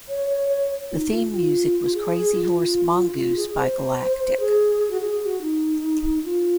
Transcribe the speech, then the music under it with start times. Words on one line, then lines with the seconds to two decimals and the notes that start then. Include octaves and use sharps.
The theme music was "Crazyhorse Mongoose" by Galactic.
0.09 C#5
0.30 C#5
0.49 C#5
0.91 F4
0.95 D#4
1.11 F4
1.32 F4
1.94 G#4
2.13 G#4
2.34 F4
3.17 F4
3.36 G#4
3.58 C5
4.40 G#4
4.90 F#4
5.01 G#4
5.22 G#4
5.26 F#4
5.42 D#4
6.25 F4